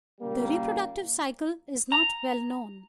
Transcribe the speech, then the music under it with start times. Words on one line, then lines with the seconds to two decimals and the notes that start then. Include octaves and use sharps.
The reproductive cycle is not well known.
0.21 A#2 C#3 G3 A#3
1.92 A#5